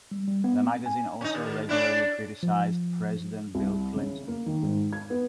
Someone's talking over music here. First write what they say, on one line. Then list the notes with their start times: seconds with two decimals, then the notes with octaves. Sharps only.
The magazine also regularly criticized President Bill Clinton.
0.11 G3
0.28 G3
0.44 B3
0.65 C4
0.86 G#5
1.21 C#4 D#4
1.35 D#2
1.69 C#4 D4 E4
2.43 F3
3.55 C2
3.96 C#3
4.28 A#3
4.46 D#3
4.63 G#2
4.93 G#6
5.10 B3